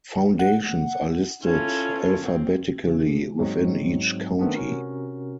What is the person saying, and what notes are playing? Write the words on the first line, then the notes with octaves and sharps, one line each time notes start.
Foundations are listed alphabetically within each county.
F#5
C#4 E4 F4 A4
C4
C#3
G#2 F#3 G#3 C4
D#3 A3 B3 C4 D4
C3 C#4 F#4 A#4